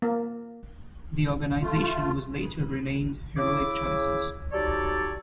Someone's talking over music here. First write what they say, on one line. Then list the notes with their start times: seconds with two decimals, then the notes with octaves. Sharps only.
The organization was later renamed Heroic Choices.
0.02 A#3
1.62 A3 F4
3.37 C#3 E4 D6
4.52 F#3 G3 D#4 A4 C#5 D5